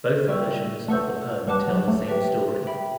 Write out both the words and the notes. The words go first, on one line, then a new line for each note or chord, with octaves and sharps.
Both versions of the poem tell the same story.
G3 E5 G5 C#6 E6
A3 B4 F#5 C#6 E6 G6
G3 B4 F#5 A5 D6 F#6
F#3
A3
G4 B4 E5 G5
E5 G5 B5